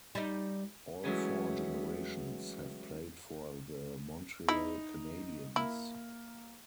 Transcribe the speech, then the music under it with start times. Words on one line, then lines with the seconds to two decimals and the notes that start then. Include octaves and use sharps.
All four generations have played for the Montreal Canadiens.
0.15 G3 D#4
1.04 E3 F#3 G#3 A3 B3 C#4
4.49 D#4 E4
5.56 A#3 E4